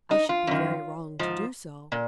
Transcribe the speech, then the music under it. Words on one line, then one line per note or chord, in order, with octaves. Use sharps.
I should be very wrong to do so.
D#4
F4
F#2 D#3
G#2 F3
A#2